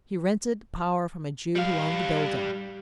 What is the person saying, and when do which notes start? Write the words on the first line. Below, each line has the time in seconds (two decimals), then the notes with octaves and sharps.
He rented power from a Jew who owned the building.
1.56 G3 F5